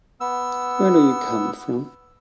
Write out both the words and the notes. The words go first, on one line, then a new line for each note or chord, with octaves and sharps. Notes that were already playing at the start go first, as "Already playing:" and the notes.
Where do you come from?
B3 E6